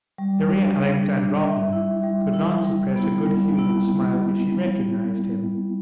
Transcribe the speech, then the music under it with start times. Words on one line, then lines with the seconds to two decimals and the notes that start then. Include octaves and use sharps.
Darya Alexandrovna could not suppress a good-humored smile as she recognized him.
0.18 G3
0.50 D4
0.80 G3
1.11 D4
1.41 G3 E5
1.73 E4
2.03 G3
2.34 E4
2.65 G3
2.96 B3 E4
3.26 G3
3.57 B3 E4